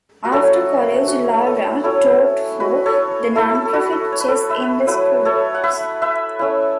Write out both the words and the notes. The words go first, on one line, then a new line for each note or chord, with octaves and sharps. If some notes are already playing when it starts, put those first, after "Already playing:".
After college Laura taught for the non-profit Chess-in-the-Schools.
F#4
F#3 A3 C#4 E4 A4
F#4
A4
F#3 C#4 E4 A4 C#5
F#4 B4
A4 C#5
A3 E4 A4
A4
A4
F#4 B4
A4
C#5
B4
A4 C#5
B4 E5
F#3 A3 E4 B4 E5
A4 C#5
F#5
B4 E5
B4 E5
A3 C#4 E4